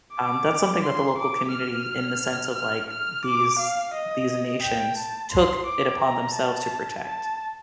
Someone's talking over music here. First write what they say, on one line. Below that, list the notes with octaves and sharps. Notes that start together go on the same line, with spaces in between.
um, that's something that the local community in the sense of, like, these these nations took it upon themselves to protect.
D6
C6
D6
F6
F6
F6
D6
F5
D#5
G5
A5
C6
D6
A#5
A5
A5